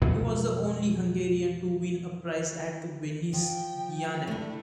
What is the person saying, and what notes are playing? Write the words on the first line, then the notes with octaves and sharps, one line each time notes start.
He was the only Hungarian to win a prize at the Venice Biennale.
F2 B2 F3 F#3
F3 G5
A3 D4 E4